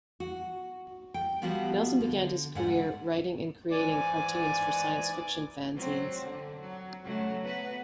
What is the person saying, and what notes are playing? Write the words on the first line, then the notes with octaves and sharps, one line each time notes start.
Nelson began his career writing and creating cartoons for science fiction fanzines.
F#4
G5
F3 G3 B3 F4 F#4 C5
D3
G#2 D3 D5 F#5 G#5
G#2 E3 D5 G#5 D6
F#3 C4
D3
F#3
C#3 F#3 A3
B3 F#4 B4